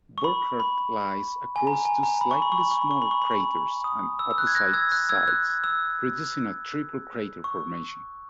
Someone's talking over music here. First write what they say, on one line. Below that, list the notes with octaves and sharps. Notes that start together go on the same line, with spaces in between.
Burckhardt lies across two slightly smaller craters on opposite sides, producing a triple-crater formation.
C#6
B5
B5
G#5
A#5
G#5
A#5
B5
C#6
B5
C#6
B5
C#6
B5
C#6
B5
C#6
B5
C#6
B5
D#6
E6
E6
F#6
G#6
F#6 A#6
E6 G#6
F#6
E6 G#6
F#6
E6
C#6